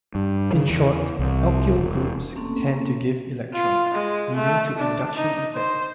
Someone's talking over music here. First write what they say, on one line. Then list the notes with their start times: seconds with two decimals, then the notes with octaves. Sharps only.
In short, alkyl groups tend to give electrons, leading to induction effect.
0.15 G2
0.54 C#3
0.70 E2
1.19 C2
1.76 E1
2.35 A3 A#3 C4 C#4 A4
3.53 F4
3.94 G#3
4.36 A3
4.78 D4
5.17 D#4
5.55 C5